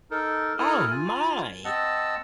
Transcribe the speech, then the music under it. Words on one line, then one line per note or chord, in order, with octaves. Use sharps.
Oh my!
D#4 A4 A#4
E4 A4 A#4 D#6 F6 F#6
F4 G#5
C4 D#5 F#5 A5 E6